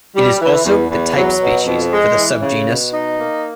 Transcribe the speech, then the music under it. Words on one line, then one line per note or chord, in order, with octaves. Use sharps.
It is also the type species for the subgenus.
G3
E3
E2
E2
F#3
B2
F2
G#3
E3
C#3
B2
D#4
A#3